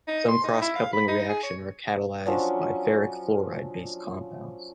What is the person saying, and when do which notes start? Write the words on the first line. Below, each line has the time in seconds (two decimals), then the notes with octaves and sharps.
Some cross coupling reaction are catalyzed by ferric fluoride-based compounds.
0.08 D#4
0.28 C6
0.44 D#4
0.62 E4
0.76 F5
0.93 B5
1.08 D#4
1.29 G#4
1.43 C#5
2.26 F3 F#3 C#4 D4